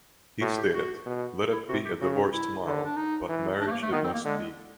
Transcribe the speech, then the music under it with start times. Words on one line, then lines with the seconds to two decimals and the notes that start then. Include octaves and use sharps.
He stated, Let it be a divorce tomorrow, but marriage it must be!
0.41 A2 F#4
0.58 G4
0.73 F#4
1.06 B2
1.53 E4
1.69 C3 F#4
1.85 G4
2.01 C#3 F#4
2.33 E4
2.65 D3
2.85 D4
2.97 D#4
3.29 E3
3.61 D4
3.68 A3
3.72 A#3
3.83 A3
3.92 D#3 B3
4.04 C4
4.13 A#3
4.25 D3 G#3